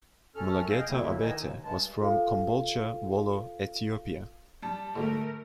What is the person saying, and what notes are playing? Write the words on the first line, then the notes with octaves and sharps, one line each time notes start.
Mulugeta Abate was from Kombolcha, Wollo, Ethiopia.
F#2 C#4 A4 F6
G#4 D#5 F5 G5
D2 F#3 A#3 E4
D#3 E3 D#4 D#5 G#5 E6
D#2
G2 G#3 A5
F4 A4 C5 F5
G3 A5
D2 G#2 A3 A#4